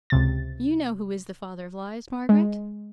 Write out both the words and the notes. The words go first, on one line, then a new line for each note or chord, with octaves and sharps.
You know who is the father of lies, Margaret?
C#2 C3 A6
G#3